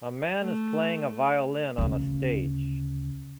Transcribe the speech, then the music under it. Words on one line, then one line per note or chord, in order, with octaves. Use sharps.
A man is playing a violin on a stage.
A3
D2 C#3